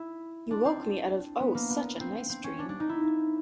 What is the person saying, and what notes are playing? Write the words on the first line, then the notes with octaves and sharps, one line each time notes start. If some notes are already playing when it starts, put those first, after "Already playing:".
You woke me out of, oh such a nice dream!
Already playing: E4
D4
C4
B3
A#3
B3
C4
C4
C#4
D4
D4
D#4
E4